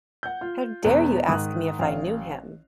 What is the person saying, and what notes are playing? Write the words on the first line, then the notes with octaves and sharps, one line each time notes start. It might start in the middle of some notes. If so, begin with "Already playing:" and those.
How dare you ask me if I knew him?
F#5 G6
F4
E1 E2 B3
G#2 D#3 D#6 F#6
A1 F5